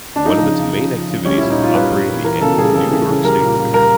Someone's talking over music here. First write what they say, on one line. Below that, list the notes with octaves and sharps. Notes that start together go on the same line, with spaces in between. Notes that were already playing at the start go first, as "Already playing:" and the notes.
One of its main activities is operating the annual New York State Fair.
D4
F3 D#4
C#3
C#3
F3
F3
C#3
G3 C#4
E4
A#2
D#4
A#2 F4
G3 B4
G3
A#2
E3 A#4
C#3 A4
G3 G#4
C#3 A4
E3
C#3
G3 A#4
A#2
A#2
G3 A#4